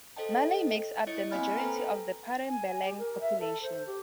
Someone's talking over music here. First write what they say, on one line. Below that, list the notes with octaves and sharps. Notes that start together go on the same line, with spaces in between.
Malay makes up the majority of the Padang Balang population.
A4 C5 D#5 G5 A5
E4 C#5 D#5 A6 C#7
A#3 C4 F5 G#5 B5 F6
A4 B4 C5 G5 A#5
G#5
G4
A#4
E5
A4
C5
G4